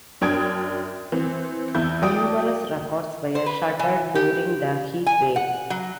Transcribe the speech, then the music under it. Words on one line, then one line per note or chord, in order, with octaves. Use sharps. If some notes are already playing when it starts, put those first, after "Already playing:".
Numerous records were shattered during the heatwave.
F#2 D4 G5 D#6 G#6
E3 C4
E2 E4 G6
F#3 D5 G5 D#6
C5
B4
E3
G4
G#5
F#5
F#3